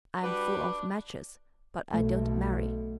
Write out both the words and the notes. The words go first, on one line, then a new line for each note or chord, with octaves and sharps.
I am full of matches, but I don't marry.
G3 D4 F#4 B4
B1 B2 A3